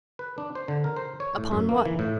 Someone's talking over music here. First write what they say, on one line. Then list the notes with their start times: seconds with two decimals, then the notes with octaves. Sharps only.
"Upon what?"
0.19 B4
0.38 D4
0.55 C5
0.68 D3
0.84 A#4
0.96 C5
1.20 C#5
1.38 A2
1.51 F#2
1.69 A#3
1.86 E3
1.99 A2